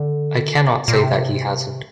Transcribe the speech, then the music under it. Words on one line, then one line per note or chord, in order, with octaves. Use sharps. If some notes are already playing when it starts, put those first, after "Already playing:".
I cannot say that he hasn't.
Already playing: D3
A#2
C3